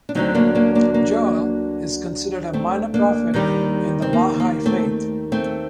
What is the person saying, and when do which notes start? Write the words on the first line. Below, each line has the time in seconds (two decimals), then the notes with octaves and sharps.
Joel is considered a minor prophet in the Baha'i Faith.
0.09 D4
0.15 D2 D3 F#3 C4 D#4
0.35 A#3 D4
0.55 A#3 D4
0.75 A#3 D4
0.94 A#3
2.53 A3 C4
2.94 A#3 D4
3.34 D#2 D#3 G3
4.02 C4
4.13 A#3
4.40 A#3
4.66 A3 C4
5.32 A3 C4